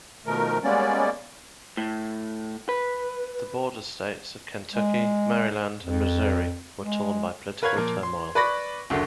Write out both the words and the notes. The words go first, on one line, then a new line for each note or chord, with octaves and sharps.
The Border States of Kentucky, Maryland, and Missouri were torn by political turmoil.
B2 D#3 F3 A3 A#4
G3 G#3 A#3 B3 C#4 D5
A2
B4
G#3
F2
G#3
A#4 B4 C#5 F5 G#6
A#2 F3 A#3
C6
B4 D5 B5 C#6 A#6
F#1 D2 D3